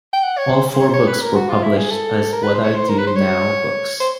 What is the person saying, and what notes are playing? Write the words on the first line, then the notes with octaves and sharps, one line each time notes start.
All four books were published as "What-Do-I-Do-Now Books".
G5
F#5
C#5
C5
C5
C#5
C5
C#5
B4
A#4
F#4
F4
E4
G#4
A4
A#4
B4
C5
C#5
C5
A#4
B4
C5
C#5
C5